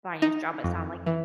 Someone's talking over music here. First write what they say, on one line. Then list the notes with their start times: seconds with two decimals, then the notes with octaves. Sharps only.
finance job, it sounded like,
0.22 D#4
0.64 F2
1.06 E3